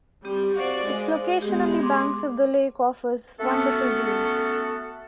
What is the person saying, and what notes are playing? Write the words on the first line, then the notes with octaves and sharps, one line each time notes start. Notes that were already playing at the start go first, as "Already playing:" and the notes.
Its location on the banks of the lake offers wonderful views.
G3 C4 G4
F#4 C5 D5 F5
G#3
G#3 B3 G4
C6 D6
A3 B3 C#4 F#4 A4